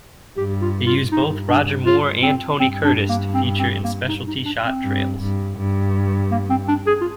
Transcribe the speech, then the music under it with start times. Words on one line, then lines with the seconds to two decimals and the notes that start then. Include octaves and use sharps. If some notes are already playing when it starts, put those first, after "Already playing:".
It used both Roger Moore and Tony Curtis to feature in specialty shot trails.
0.37 G2 G4
0.62 F4
0.87 F4
1.11 G2 D#4
1.48 D4
1.86 F4
2.23 C4
2.59 G2 C4
2.85 D4
3.09 A#3
3.34 C4
3.59 C4
3.84 A#3
4.09 D#4
4.27 D#4
4.45 D4
4.64 C4
4.83 G2
5.20 G2
5.57 G2
6.32 A#3
6.50 C4
6.68 D4
6.87 G#4
7.01 F4